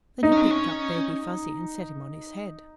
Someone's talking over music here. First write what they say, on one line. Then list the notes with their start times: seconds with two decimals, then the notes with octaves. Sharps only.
Then he picked up Baby Fuzzy and set him on his head.
0.23 D#4
0.32 C#4
0.41 C4
0.50 C#4